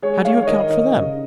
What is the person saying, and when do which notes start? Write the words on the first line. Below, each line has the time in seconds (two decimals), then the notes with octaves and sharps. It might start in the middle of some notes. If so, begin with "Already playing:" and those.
"How do you account for them?"
0.02 G#3 G#4 C#5
0.25 G#3 C#5 F5
0.42 C#5
0.47 D#3 A#4 D#5
0.69 D#3
0.91 C#3